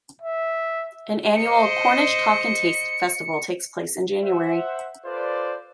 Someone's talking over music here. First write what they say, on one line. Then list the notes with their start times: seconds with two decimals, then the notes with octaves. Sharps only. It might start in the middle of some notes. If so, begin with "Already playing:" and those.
An annual "Cornish Talk and Taste" festival takes place in January.
0.22 E5
1.36 C5 D#5 C#7
4.23 C5 E5 F#5
5.05 F4 A4 B4 C5 D5